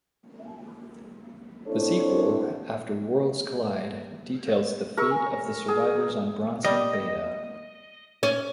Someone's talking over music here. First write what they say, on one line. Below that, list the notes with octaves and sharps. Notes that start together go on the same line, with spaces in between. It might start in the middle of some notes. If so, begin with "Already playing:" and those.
The sequel, "After Worlds Collide", details the fate of the survivors on Bronson Beta.
C4 D4 E4 A4 C5 C#5
G#4 A#4 C#6 E6
G#5
G#4
G3 D#5
C#4